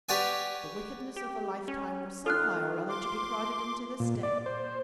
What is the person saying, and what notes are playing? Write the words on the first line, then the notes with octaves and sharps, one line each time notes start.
The wickedness of a lifetime was somehow or other to be crowded into this day.
G4 B4 C#5 D5 F#5 G#5
G4
C#4
D#3 F4 A4 F6 F#6
C6 D6
A#2
D5
C5